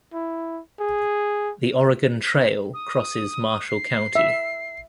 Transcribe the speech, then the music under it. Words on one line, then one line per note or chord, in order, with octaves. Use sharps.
The Oregon Trail crosses Marshall County.
E4
G#4
D#6
C7
E5